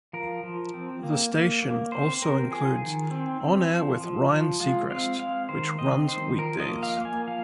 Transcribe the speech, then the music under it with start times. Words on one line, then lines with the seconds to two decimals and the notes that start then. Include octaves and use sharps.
The station also includes "On air with Ryan Seacreast" which runs weekdays.
0.13 F3 A#4
0.43 F3
0.74 C4
1.03 A#3
1.33 A#3
1.63 A#3
1.92 C4 C5
2.22 C4 A#4
2.51 F3 G#4
2.81 D#3
3.11 C4
3.40 C4
3.70 F3
4.00 F3
4.30 F3
4.60 G#3 F4
4.90 C4 F5
5.19 G#3 F5
5.49 D#3 C5
5.79 C4 D#5
6.08 D#3 C5
6.38 F3 A#4
6.60 D#5
6.68 A#3
6.83 F5
6.98 A#3
7.05 G#5
7.27 F3 F5